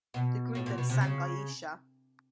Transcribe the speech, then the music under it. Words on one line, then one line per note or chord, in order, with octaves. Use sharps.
The group then sang "Iesha".
B2
A2
A#2
B2
C3
C#3